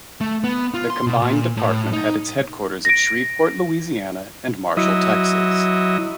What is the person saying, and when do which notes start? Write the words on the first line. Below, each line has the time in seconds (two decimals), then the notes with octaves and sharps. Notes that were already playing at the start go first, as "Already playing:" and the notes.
The combined department had its headquarters at Shreveport, Louisiana, and Marshall, Texas.
0.21 A3
0.44 B3
0.74 F4
0.90 C6
1.07 B2
1.22 A#2
1.57 A2
1.93 D#4
2.85 A#6 D7
4.77 F#3 E4 D#5